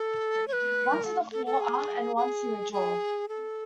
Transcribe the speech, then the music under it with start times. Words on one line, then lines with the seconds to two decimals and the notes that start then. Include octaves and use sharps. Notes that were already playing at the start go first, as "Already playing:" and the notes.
Once in the forearm and once in the jaw.
Already playing: A4
0.48 C#5
0.53 B4
0.94 A#4
1.04 A4
1.32 A4
1.46 A4
1.60 G#4
2.16 G#4
2.72 G#4
3.29 A4